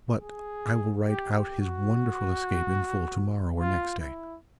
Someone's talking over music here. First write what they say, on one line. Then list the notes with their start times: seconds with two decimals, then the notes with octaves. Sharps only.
But I will write out his wonderful escape in full to-morrow or next day.
0.20 G#4
1.05 G4
1.33 G4
1.61 F#4
3.58 F4
4.00 E4